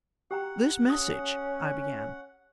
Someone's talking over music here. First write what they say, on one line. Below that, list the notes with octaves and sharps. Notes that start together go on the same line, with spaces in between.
"This message," I began...
G4 F#5 G5 A#5
C#4 D#6